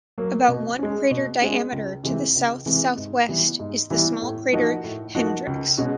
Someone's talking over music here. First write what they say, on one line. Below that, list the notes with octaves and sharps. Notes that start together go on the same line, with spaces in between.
About one crater diameter to the south-southwest is the small crater Hendrix.
F#3 A#3
B2
G#3 C#4
B2
G#3 C#4
C#2
C3 E3 G#3 C4
C#2
C3 E3 G#3 C4
G#2
E3 G3 B3 E4
G#2
E3 G3 B3 E4
A2
F3 A#3 D#4 F#4
A2
F3 A#3 D#4 F#4
C#2
B2 G#3 C#4 F#4